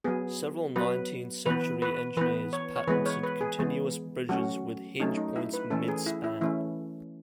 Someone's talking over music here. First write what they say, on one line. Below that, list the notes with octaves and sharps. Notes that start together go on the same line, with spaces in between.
Several nineteenth century engineers patented continuous bridges with hinge points mid-span.
F#3 B3 G#4
F#3 B3 B4
E3 B3 B4
B4
E3 B3 B4
C#5
C#5
E3 G#3 B3 B4
C#5
B4
G#4
E3 G#3 B3
F#3 A3 C#4 F#4
F#3 A3 C#4 D#4
D#4
E4
B4
E3 A3 C#4 A4
G#4
E4
E4
E3 A3 C#4 E4